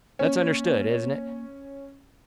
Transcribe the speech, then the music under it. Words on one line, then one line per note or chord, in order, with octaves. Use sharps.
"That's understood, isn't it?"
A#3 C#4